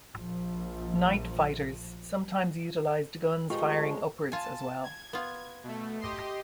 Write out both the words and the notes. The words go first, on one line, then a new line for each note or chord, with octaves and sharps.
Night fighters sometimes utilized guns firing upwards as well.
A#1 F3
F3 G#3 A3 D#4 F4 G4 B4 C#6
F4 G#5 A5
G#6
B3 F4
B2 A3
G4 D#5 C6